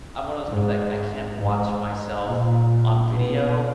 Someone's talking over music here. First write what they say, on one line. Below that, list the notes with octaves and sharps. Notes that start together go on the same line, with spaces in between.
I'm one of those people that, like, I can't watch myself on video,
G#2
G#2
A#2
B2